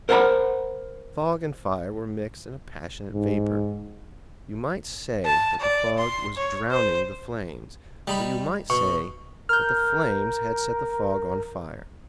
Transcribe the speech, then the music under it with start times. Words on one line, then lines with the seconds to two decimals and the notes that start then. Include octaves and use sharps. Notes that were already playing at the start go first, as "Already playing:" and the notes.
The fog and fire were mixed in a passionate vapour; you might say that the fog was drowning the flames; or you might say that the flames had set the fog on fire.
0.09 A#4 C5 F#5 G5 A#5 B5
3.13 G#2
5.25 A5
5.60 D5
5.98 C6
6.36 C#5
6.71 C5
8.08 G3 D#4 B5
8.70 B2 C#6
9.49 A#4 F6 G6